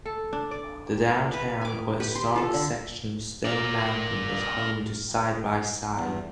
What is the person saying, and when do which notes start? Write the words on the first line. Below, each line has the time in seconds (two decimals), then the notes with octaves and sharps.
The Downtown or Historic section of Stone Mountain is home to Side By Side.
0.06 A4
0.33 D4
0.51 D5
1.33 B4
1.61 G#5 D6
2.00 G4 B4
2.15 C6
2.36 F4 A4
2.54 D3 B5
3.45 A#4 D5
5.93 E2